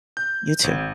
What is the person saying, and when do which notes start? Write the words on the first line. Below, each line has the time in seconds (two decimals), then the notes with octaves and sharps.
You too.
0.17 G6
0.64 G#1